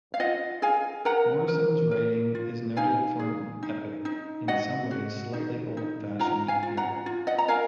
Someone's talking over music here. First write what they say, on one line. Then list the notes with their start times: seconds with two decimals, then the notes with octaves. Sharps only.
Morrison's writing is noted for an epic, in some ways slightly old-fashioned feel.
0.14 F5
0.20 F4 D#5 F#5
0.62 G#4 F5 G#5
1.05 A#4 F#5 A#5
1.48 A#4
1.91 A#4
2.35 F4
2.77 D#4 F5 G#5
3.19 G#4
3.63 D#4
4.05 D#4
4.48 F#4 D#5 F#5
4.91 F#4
5.34 D#4
5.77 D#4
6.19 F4 F#5 A#5
6.48 F5 G#5
6.63 F4
6.77 F#5 A#5
7.06 F4
7.27 D#5 F#5
7.38 A#5
7.48 A#4 F5 G#5